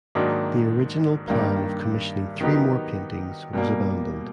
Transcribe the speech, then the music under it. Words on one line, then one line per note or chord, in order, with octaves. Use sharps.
The original plan of commissioning three more paintings was abandoned.
G#2 D#3 F#3 A#3 D4
G2 D#3 G3 A#3
D#3 F#3 B3 D#4 G4
B2 G3 A#3